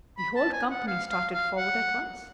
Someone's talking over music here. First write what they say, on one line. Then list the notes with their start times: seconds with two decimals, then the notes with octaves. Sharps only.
The whole company started forward at once.
0.18 B5
0.36 A5
0.52 G#5
0.70 F#5
0.88 F5
1.11 F5
1.34 F5
1.57 F#5